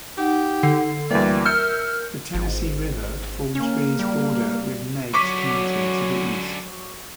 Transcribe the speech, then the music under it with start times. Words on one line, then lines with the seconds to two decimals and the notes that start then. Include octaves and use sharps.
The Tennessee River forms Rhea's border with Meigs County to the east.
0.18 D#4 G4 F#5
0.63 D3 C7
1.11 D2 E3 G3 A#3 B4 D5 E5
1.46 A#4 E5 E6 F6 G6 C#7
2.35 G#1
3.55 A#3 C#4
3.99 G3
5.14 D3 F#3 C#4 C#6 D6 B6